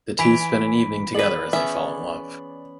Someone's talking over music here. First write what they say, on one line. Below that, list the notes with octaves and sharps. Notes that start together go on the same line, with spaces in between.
The two spend an evening together as they fall in love.
E3 G#5 B5 B6 D7
B3 G#4 B4 D5 F#7
B3 C#4 E5